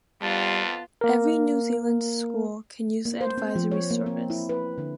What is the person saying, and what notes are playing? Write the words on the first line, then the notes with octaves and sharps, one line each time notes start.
Every New Zealand school can use the Advisory Service.
F2 G3 B3 F4 A5
A#3 A#4
A#3
C5
C4
F3
C#5
A#3
C4
E4
B4
D3